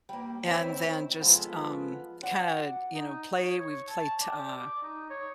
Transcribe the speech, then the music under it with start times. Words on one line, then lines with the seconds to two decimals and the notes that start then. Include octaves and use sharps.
And then just, um, kinda, you know, play we've played, uh,
0.09 G3 A#3
0.46 D2 D#3 C4 E4 C#5 E5
1.21 F3 G#3 B3 F4 A4 B4
2.23 F#4 D5 F#5
2.94 D#4
3.37 C#5
3.59 C#5
3.89 A5
4.21 D5
4.38 G4
4.58 D6
4.82 D#4
5.10 C#5